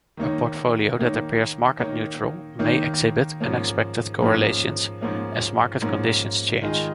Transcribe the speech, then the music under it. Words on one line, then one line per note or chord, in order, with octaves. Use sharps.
A portfolio that appears market-neutral may exhibit unexpected correlations as market conditions change.
D#3 A#3 D#4 C#5
D#3 A#3 D#4 C#5
D#3 A#3 D#4 C#5
D#3 A#3 D#4 C#5
G#2 F3 A#3 C#4
G#2 F3 A#3 C#4
G#2 F3 A#3 C#4
G#2 F3 A#3 C#4
D#3 G#3 F4 G#4 D#5